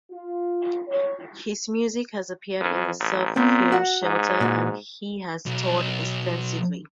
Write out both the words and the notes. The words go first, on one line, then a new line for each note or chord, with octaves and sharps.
His music has appeared in the surf film "Shelter" and he has toured extensively.
F4
C#5
F2
A1
A#2 B3 C4
F#4 F#5
G#2
A#2 F#4
B1